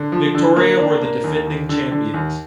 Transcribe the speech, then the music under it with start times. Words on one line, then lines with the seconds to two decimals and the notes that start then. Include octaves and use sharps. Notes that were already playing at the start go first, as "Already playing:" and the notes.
Victoria were the defending champions.
Already playing: D3
0.12 F3
0.35 D3
0.56 A#3
0.79 D4
1.02 A#3
1.24 D#2
1.47 D#2
1.69 D3
1.92 D3
2.14 D#2